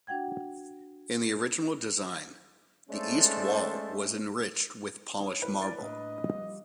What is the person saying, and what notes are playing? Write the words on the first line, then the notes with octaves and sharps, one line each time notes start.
In the original design, the east wall was enriched with polished marble.
D4 F#4 F#5 G5 G#6
G#3 A3 C#4 A4 C5 D5
D#4 C#5
E4 A#4 B4 C#5
D5
A2 A#3 D4 D#5
F3 G3